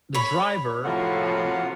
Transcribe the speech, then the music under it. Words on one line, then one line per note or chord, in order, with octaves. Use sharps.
the driver,
C#5 B5
A2 C3 F3 A#3 F4 F#4 F#5